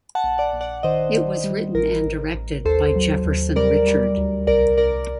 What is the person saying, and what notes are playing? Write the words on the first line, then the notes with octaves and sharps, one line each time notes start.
It was written and directed by Jefferson Richard.
F#5 A5
A#1
D5 F#5
A#1
D5 F#5
D#3 C5 D#5
D#3
G3
A1 A#4
A1
A1
D#2 A4 C5
F#3
D#2
G3 A#4 D5
G3
D2
C2 A#4 D5
C2 A#4 D5